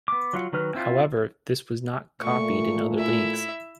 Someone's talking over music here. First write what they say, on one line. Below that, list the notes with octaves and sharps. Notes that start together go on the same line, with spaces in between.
However, this was not copied in other leagues.
B3 D6
F#3 F4 F#5
D#3 F#3 B4 F6
C4 E4 F4
A#2 A3 C#6
E4 E5